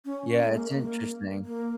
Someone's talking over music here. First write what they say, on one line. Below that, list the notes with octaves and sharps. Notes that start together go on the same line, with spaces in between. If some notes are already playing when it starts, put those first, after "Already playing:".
Yeah, it's interesting.
C#4
A#3
G#3
A#3
A#3
A#3